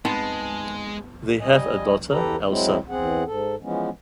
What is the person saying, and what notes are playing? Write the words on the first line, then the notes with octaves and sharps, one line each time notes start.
They have a daughter, Elsa.
G#3 B3 C4 D#4 A5 C6
G3 D#5 G#5
E2 G4 A4 B4 A#5
F#3 G#3 C4 E4
E2 C4 G#4 F#5
G#2 A4
E3 F3 G#3 B3 C#4